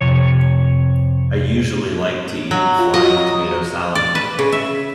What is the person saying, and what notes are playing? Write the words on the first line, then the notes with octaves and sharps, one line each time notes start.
I usually like to eat flying tomato salad.
F2 C3 C#5
F#3
F4
F4 F#4 D#5
A#5
D5
B4
C#3
E5